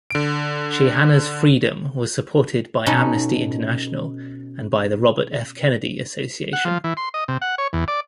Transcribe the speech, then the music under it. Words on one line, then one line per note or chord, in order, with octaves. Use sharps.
Chihana's freedom was supported by Amnesty International and by the Robert F. Kennedy Association.
D3 D7
B2 C#4 D#4 A4
F#5
F3
E3
C6
D#5
C3
F#5
C#5
E2
D5